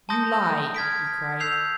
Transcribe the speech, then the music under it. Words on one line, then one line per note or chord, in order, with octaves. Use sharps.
"You lie!" he cried.
A5 C6 D#6 G6 A#6
F6 G#6 B6 D7
E6 G6 C7 F7